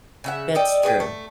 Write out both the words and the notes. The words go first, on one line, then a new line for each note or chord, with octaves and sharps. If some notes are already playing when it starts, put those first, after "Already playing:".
That's true.
C#3 E5 F#5
A4 D5 D#5 G5
G#4 B4 D5 G5
A3